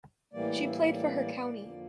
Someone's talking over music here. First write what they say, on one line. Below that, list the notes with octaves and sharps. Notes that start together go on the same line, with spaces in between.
She played for her county.
A2 E3 G3 A#3 D5
E5
D5
F2 D3 F3 A#3